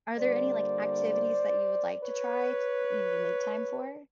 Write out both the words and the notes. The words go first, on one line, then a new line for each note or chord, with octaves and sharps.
Are there any, like, activities that you would like to try, t you know, to make time for?
D3 G3 A#3 C5 D5
B4 C#5